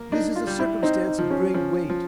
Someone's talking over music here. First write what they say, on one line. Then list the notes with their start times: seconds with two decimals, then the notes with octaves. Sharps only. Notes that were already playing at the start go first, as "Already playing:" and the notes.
This is a circumstance of great weight.
Already playing: A#3
0.12 D4 D#4
0.36 F4
0.47 G3
0.59 E4
0.83 C4 D#4
1.07 D#4
1.19 F3
1.30 C#4
1.54 F3 C#4
1.90 F3